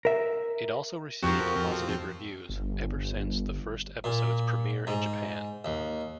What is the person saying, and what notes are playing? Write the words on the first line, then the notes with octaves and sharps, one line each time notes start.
It also received positive reviews ever since the first episode's premier in Japan.
A#4 E5
F2 F3 C4 F#4 G4 A#4
G1
A#2
G#2
D#2